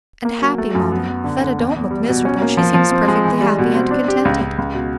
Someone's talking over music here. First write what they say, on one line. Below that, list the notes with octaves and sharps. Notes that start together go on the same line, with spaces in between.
"And happy, mamma--Fleda don't look miserable--she seems perfectly happy and contented!"
A#3
F#3
A3
F#2
B3
B3
D3
D3
E2
E2
G3
B2
C#4
A#3
F3
F3
C4
G#3
E3
G3
B2
C4
D4
G4
C#2
C#2
C#2
B2